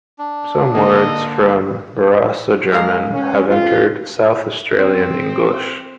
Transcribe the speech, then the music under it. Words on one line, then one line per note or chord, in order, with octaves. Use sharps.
Some words from Barossa German have entered South Australian English.
D4
D3 A#3 D#5
G#3 A#4 F5
C#4
F2 C#4 F4
C4